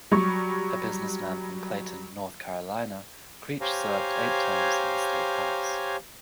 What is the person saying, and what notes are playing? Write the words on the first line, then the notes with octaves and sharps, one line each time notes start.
A businessman from Clayton, North Carolina, Creech served eight terms in the state House.
F#3 G3 C#6
G4 C5 C#5 F5 G#5 A#5